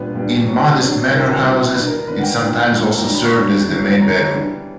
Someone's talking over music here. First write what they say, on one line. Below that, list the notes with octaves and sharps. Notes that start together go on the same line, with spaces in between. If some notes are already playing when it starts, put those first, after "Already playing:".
In modest manor houses it sometimes also served as the main bedroom.
Already playing: A#2 G3 B3 D4 B4
A#2 G3 B3 D4
F#3 B3 D4
F#3 B3 D4
B2 G3 B3 E4 A#4
B2 G3 B3 E4
E3 B3 D4 B4
A#4
A#4
E3 B3 D4 B4
F#5
G5
A#2 A#3 E4
A#2 A#3 E4
G5
F#3 B3 D4 A#5
B5
C#6
F#3 B3 D4
C#3 F#3 C#4 E4
C#3 F#3 C#4 E4 A#5
E3 G3 B3 D4